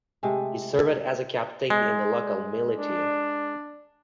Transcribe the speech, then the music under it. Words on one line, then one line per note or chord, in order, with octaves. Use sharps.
He served as a captain in the local militia.
C3 G#3 A3
G#3
D4